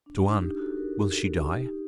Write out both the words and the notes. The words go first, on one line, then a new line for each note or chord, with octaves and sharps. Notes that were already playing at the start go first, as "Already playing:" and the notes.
"Tuan, will she die?"
D4
D4
D#4
D#4 G4
F#4 A4
G4 A#4
F#4 A4
D#4 G4